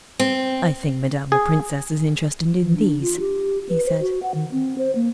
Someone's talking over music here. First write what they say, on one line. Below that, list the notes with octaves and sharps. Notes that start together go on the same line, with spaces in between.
"I think madame la princesse is interested in these," he said.
C4
G#4
E3
D4
F4
G4
B4
C5
F#4
F#5
D#3
C4
C5
A#3